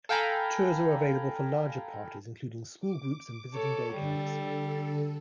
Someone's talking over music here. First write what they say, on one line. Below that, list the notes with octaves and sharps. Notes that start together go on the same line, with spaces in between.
Tours are available for larger parties including school groups and visiting day camps.
A4 F5 G5 G#5 A#5 B5
D6
A4 C#5
D3 G3 A4